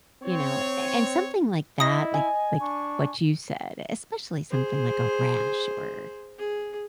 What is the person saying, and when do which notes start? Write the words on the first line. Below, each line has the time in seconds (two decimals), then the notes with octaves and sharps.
you know? A and, something like that, like like what you said, especially something like a rash or
0.23 C4 C#5
1.80 E4 D#5 D#6 A#6
2.14 G#5
2.61 D4 C#6
4.51 G#4 C5
6.38 G#4